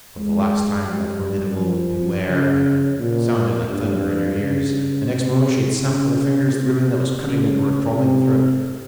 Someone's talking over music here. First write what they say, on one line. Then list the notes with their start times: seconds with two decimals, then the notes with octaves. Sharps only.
For the last time that formidable "Beware!" sounded like thunder in her ears; the next moment she had snapped with her fingers the ribbon that was cutting into her throbbing throat.
0.18 G#3
0.88 G3
1.58 F3
2.28 C#3
2.99 A#2
3.70 G2
4.41 C#3
5.11 C3
5.81 C#3
6.52 C3
7.23 C#3
7.93 C3